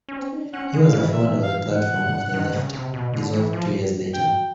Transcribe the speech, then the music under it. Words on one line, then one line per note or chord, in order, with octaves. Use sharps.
He was a founder of the Platform of the Left, dissolved two years later.
C#4
C4
C#4
D#4
D4
C#4 F#5
G#3
F5
E3
E5
F5
F#5
D#3
C#3
C3
B2
D3
E3
F3
G3
F#3
G5